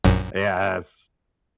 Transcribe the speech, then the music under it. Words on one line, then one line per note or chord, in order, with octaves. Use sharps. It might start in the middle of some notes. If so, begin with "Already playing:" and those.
Yeah, it's
A#1 F#2